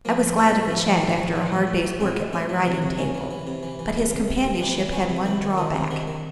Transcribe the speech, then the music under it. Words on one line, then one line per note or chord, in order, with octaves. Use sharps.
I was glad of a chat after a hard day's work at my writing-table, but his companionship had one drawback.
F3 A#3
A2
F3 A#3
A2
F3 B3
A2
F3
F3
F3
A2
A2
A2
A2 C4
A2
A2 C#4
F3
C3 D4
C3
C3 C#4
E3
E3
C3
E3
E3
C3
C3
C3
C3
E3 D4
E3
E3 C#4
C3
D#3 E4
D#3
D#3 D#4
C3
D#3 D4
D#3